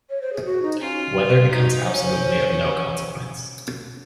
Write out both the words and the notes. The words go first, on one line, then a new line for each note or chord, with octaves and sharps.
Weather becomes absolutely of no consequence.
C#5
C5
G#4
F#4
D#4
C#4 F4
D#4 F#4
C#4 C5
C#5
C5